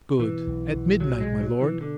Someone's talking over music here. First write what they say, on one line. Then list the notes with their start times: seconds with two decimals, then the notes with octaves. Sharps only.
"Good! at midnight, my lord."
0.19 B2 E3
0.47 B1
0.73 B1
1.01 B1 F#3
1.21 G#3
1.27 B2
1.41 F#3
1.54 B2
1.61 E3
1.81 D3